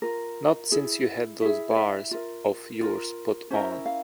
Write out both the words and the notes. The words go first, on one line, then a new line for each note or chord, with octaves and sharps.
Not since you had those bars of yours put on.
F4 A#4
E4 G#4
E4 G#4 E5
C#5
E5
F4 A#4
F4 A#4
C#4 E4 A#4 C5
F5